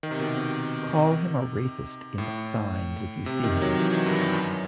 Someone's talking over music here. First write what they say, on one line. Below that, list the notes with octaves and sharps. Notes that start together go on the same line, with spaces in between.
Call him a racist in signs if you see him.
D#3
C3
B2
C3
A2
C3
D#3
F#3
E3
D#3
G2
G2
F#2